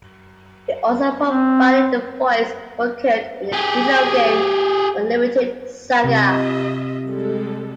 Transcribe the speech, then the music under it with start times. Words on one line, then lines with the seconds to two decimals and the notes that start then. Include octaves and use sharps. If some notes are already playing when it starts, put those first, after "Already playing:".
He also provided the voice for Kurt in the video game "Unlimited Saga".
1.27 C4
3.53 G4 G#4
6.04 C3 F4 D#5 E5
7.07 G3 G#3 A4